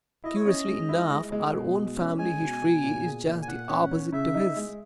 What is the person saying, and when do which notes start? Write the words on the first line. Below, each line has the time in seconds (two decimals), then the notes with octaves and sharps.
Curiously enough our own family history is just the opposite to his.
0.24 E4 D#5
0.35 C#5
0.46 C#4 D#5
0.67 G#3
0.89 E4
1.11 G#3
1.32 G#3
1.53 B2
1.75 G#3
1.97 C#4
2.18 G#3 G#5
2.40 B2
2.62 B2
2.83 A#2
3.05 G#4
3.26 A#2
3.42 G#5
3.48 A#2 F#5
3.69 C#4
3.91 C#4
4.13 C#3 E5
4.34 D#4
4.56 G#3